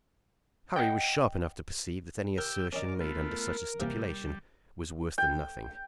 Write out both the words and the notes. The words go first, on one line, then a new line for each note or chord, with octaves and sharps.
Harry was sharp enough to perceive that any assertion made under such a stipulation was worse than nothing.
D#5 F#5 G5
G4 A#4 G5 E6
C#4 D#4 A#4 D5
A3 B3 F4
C3 E3 G3 A#3
G5